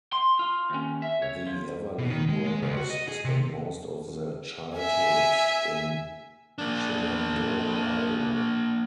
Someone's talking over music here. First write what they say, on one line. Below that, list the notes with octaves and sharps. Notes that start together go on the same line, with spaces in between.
The Everly brothers spent most of their childhood in Shenandoah, Iowa.
C6
F4
D#2 C#4
E5
C#5
F3
B2
D#3
G#3
G#3
C#2
F#4
D#5
G#4
C3
E5 G#5
A#3 D4